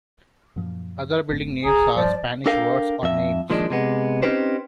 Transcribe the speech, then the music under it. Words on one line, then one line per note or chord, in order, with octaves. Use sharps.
Other building names are Spanish words or names.
F#2 A#2 F3
F#1 A2 C4
B1 G#4 A#5
G2 F3 D5
D4 A4 A#4 F5 G5
F2 E5
A#2 D#3 F3 G#3 D4
C3 G#3 B3
C4 C#4 D#4 G4 B4 C5